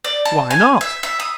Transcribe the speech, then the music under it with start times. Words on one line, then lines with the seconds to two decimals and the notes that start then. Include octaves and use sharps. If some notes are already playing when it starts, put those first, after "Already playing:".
"Why not?"
0.04 D5
0.25 A5
0.51 G#5
0.81 E5
1.03 E5
1.20 D#6